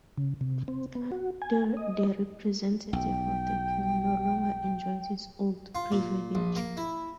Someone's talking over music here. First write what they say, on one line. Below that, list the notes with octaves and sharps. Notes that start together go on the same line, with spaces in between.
The representative of the king no longer enjoys his his old privilege.
C#3
C3
C4
B3
F#4
G#5
D#5
B1 G5
F4
A#2
A#1
A#3
E4